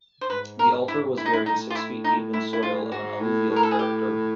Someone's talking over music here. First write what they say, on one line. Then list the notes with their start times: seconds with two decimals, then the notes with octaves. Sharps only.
The altar was buried six feet deep in soil of an alluvial character.
0.21 C5
0.30 G#2 B4
0.59 A#4
0.88 E4
1.17 A2 E4
1.26 D#4
1.29 G#2 E4
1.40 A2
1.46 D#4
1.70 F4
1.75 E4
2.04 D#4
2.33 E4
2.53 E4
2.63 F4
2.92 G#2 F#4
3.21 A2
3.50 A2
3.56 A#4
3.63 A4
3.71 G#4
3.79 G4